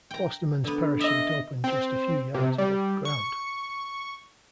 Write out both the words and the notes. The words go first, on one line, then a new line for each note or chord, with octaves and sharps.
Clostermann's parachute opened just a few yards above the ground.
G5 A#5
D3 B3
D#5 E5
C4
C3
G3
C#6